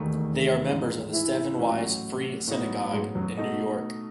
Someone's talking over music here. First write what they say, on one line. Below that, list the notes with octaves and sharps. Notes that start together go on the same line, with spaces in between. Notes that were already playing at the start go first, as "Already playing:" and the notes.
They are members of the Stephen Wise Free Synagogue in New York.
Already playing: E1 D#2 D#3 A3 D#4
G#2 E3 G#3
E3 E4
A1 A2 F#3
A2 F#3 B3 D#4
G#2 G#3
F#2 F#3
B2 A3 D#4 A4 D#5